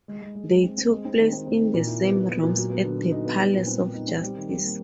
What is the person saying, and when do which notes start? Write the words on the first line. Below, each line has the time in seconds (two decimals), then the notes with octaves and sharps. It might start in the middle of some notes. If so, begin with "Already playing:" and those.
They took place in the same rooms at the Palace of Justice.
0.08 G#3
0.21 G#3
0.35 G#3
0.49 G#3
0.63 C4
0.78 C4
0.91 G#3
1.05 C4
1.18 D#3
1.33 C4
1.47 C4
1.59 D#3
1.74 A#2
1.87 E4
2.01 B3
2.16 B3
2.29 B3
2.43 A#2
2.56 F#3
2.70 B3
2.84 D3
2.98 D3
3.12 D#4
3.25 B3
3.40 G3
3.53 A#2
3.67 C4
3.81 C4
3.94 D#4
4.08 C4
4.23 G3
4.36 D#3
4.50 G3
4.64 A#3